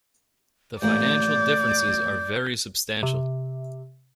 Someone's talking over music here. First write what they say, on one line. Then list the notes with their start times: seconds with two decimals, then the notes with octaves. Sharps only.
The financial differences are very substantial.
0.82 A1 A2 A#3 D5 G6
3.03 C3